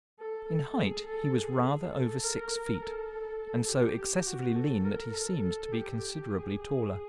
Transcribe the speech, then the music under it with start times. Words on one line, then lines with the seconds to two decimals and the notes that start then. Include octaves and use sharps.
In height he was rather over six feet, and so excessively lean that he seemed to be considerably taller.
0.19 A4
0.48 A4
0.77 G#4
1.07 A4
1.36 G#4
1.94 A4
2.24 A#4
2.82 A4
3.68 G4
3.97 G4
4.26 F#4
4.55 A4
4.85 A#4
5.14 A4
5.43 A4
5.73 G4
6.30 G#4
6.59 G#4